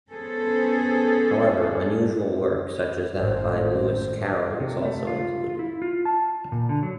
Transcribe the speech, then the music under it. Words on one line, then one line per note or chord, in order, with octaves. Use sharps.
However, unusual work such as that by Lewis Carroll was also included.
B3 C#4 G#4 A4 C5
G#1 A2 C5
C3
A3
F4
E4
F4
A5
A#2
D3
F#3